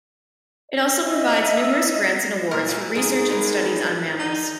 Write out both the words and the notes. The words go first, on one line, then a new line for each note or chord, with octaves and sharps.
It also provides numerous grants and awards for research and studies on mammals.
D#5 E5
A#2 A#4
E4 F#4 G#5
G#2 G#4 A#4
A#4 B4
D#4